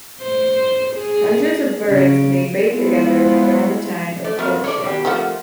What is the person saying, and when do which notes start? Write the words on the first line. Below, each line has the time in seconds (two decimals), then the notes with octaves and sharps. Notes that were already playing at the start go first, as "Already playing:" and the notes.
Hundreds of birds may bathe together around the time of courtship.
0.22 C5
0.94 G#4
1.87 C#3
2.65 G#3 B3 E4 F4 C5
4.24 A3 D5
4.39 F2 F#3 A3 A#3
4.64 A3 C#5 D5
4.84 B2 D#3 G4
5.05 F3 A3 A#3 C4 G4 F#5